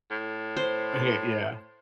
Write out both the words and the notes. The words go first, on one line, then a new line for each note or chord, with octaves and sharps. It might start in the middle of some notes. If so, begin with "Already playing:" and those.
Hey yeah.
A2
C5